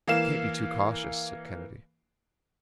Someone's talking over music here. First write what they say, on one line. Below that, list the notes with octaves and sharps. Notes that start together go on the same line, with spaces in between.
"We can't be too cautious," said Kennedy.
E3 A#3 F5 E7